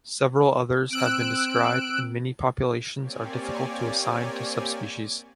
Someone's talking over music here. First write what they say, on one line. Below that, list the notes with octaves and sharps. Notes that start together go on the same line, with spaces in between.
Several others have been described and many populations are difficult to assign to subspecies.
C4 E6 F#6 D7
A#3 C4 G4 C#5 D5 G#5